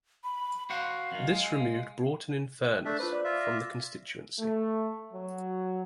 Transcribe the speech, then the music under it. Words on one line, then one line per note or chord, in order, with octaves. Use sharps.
This removed Broughton-in-Furness from the constituency.
B5
F#4 C5 F5 F#5
F#2 D#3
G#3
A3 D4 E5
F4 B4 C5
D5 D6
F4 E5
A#6
A3
F#3